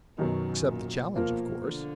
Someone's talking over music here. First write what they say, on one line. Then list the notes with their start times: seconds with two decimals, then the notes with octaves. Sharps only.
"Accept the challenge, of course."
0.17 F#2 B2 D#3 F#3
0.66 A#2
1.15 B2 F3 A#3 F4 A#4
1.64 D3